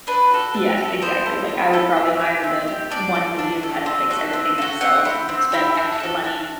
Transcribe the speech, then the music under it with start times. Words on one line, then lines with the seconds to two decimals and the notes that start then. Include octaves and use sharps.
Yeah, exactly, like, I would probably hire the one who knew how to fix everything themselves than spend extra money
0.07 D4 B4
0.31 F#4 A4
0.54 D4
0.78 F#4 A4
1.02 B3 C5
1.25 E4 A4
1.49 B3
1.73 E4 A4
1.96 C4
2.20 G4
2.44 C4
2.68 G4
2.90 D4 D5
3.15 A4
3.39 D4
3.63 A4
3.86 C4
4.10 F#4 A4
4.33 C4
4.58 F#4 A4
4.81 C4 F#5
5.05 E4 G4
5.29 C4
5.52 E4 G4
5.75 D4
6.00 F#4 A4
6.24 D4